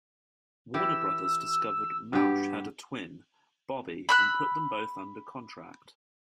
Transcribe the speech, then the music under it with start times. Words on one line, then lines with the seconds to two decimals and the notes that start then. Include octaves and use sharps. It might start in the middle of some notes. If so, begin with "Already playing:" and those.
Warner Brothers discovered Mauch had a twin, Bobby and put them both under contract.
0.74 E3 G4 E6
2.13 G2 B3 G4
4.09 B5 E6 F#6